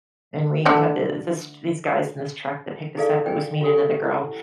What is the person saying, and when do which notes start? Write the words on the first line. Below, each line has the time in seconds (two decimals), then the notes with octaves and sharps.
and we had the this these guys in this truck that picked us up. It was me and another girl,
0.65 D3 A3 D4
2.96 D#4 E4 G#4 A4 D5 F5
3.26 G5 G#5
3.61 F4 G4 A4 G#5
3.78 C#6
4.02 E4 F#5